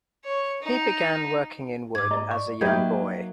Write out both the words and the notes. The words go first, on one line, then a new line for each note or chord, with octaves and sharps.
He began working in wood as a young boy.
C#5
D#4
G#2 D6 G#6
D5 D#5 A#5
C#6
F#3 A#3 D#4 G4 B4 E5 G6 G#6